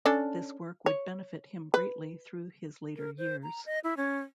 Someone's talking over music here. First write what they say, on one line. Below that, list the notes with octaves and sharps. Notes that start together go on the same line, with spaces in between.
This work would benefit him greatly through his later years.
C#4 D4 A4
C#5
B4
A#4
C5
A#5
D#5
E4
C#4